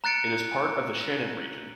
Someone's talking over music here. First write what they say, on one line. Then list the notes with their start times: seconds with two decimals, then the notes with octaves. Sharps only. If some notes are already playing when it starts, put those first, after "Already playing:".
It is part of the Shannan region.
0.04 A#5 F#6 A6 C#7 D7